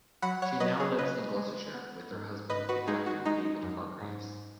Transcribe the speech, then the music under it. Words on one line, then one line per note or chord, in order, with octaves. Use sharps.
She now lives in Gloucestershire with her husband, the actor David Hargreaves.
F#3 F#5 B5
C#5 F#5
F#3 B4 D#5
G#4 C#5
C#3 B4 D#5
G#3
B3
G#2
G#2 B4 D#5
F#4 B4
G#3 D#4 G#4
F#4
G#3 D#4
F#2
G#2